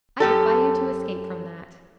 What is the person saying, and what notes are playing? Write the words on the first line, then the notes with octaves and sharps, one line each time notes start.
I defy you to escape from that.
F#2 G4 A4